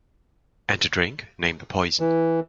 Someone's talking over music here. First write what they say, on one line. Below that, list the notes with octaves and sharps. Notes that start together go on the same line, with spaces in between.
And to drink? Name the poison.
E3